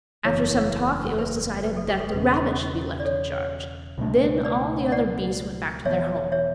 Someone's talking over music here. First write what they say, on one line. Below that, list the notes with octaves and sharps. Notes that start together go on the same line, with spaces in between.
After some talk it was decided that the rabbit should be left in charge; then all the other beasts went back to their homes.
F#1 E2 C#3 E3 A4 C#5
B4
B4
A4
G4
A4
E1 E2 C#3 B4
D5
A4 C#5
C#2 B2 A3 D4
B4 D5
D5 F#5
E1 E2 B2 C#5 E5
C#5 E5